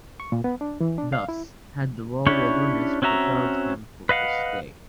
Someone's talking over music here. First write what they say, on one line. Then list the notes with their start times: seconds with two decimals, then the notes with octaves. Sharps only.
Thus had the raw wilderness prepared him for this day.
0.20 C#6
0.32 A#2
0.44 B3
0.61 D4
0.81 E3
0.98 D4
1.13 F5
1.29 E4
2.27 C#4 D4 E4 G4 C#5
3.02 C4 C#4 F#4 E5 A#5
4.09 B4 D#5 F5 F#5